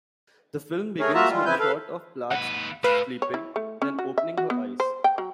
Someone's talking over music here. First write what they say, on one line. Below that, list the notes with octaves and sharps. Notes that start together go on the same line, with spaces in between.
The film begins with a shot of Plath sleeping, then opening her eyes.
A3 G#4 A#4 C#5
A#3 F4 F#4 E5 A5 A#5
G3 G#3 F4
C#3 C4 E4 B4 G#5 G6
A4 B4 F5
D#2 B4 F#5
A2 B4 F5
C#5
E4
A3
C#4
F#4
E5
F#4
B3
C5
G5
F#3